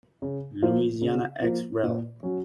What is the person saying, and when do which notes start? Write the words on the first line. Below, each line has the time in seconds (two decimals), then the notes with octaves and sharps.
Louisiana ex rel.
0.22 C#3
0.62 F3 A#3 F4 C5
1.01 C#3
1.42 F3 A#3 F4 C5
1.83 A#2
2.23 F#3 C#4 F#4